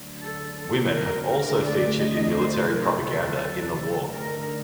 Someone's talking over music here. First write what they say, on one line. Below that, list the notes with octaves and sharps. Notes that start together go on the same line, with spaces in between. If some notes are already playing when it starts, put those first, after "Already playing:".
Women have also featured in military propaganda in the War.
Already playing: D2 D3 F#3
A4
A4
A#4
D2 D3 A3 D4 A#4
D5
D#5
C5
D2 C3 F#3 A#4
A4
D3 A3 D#4 A#4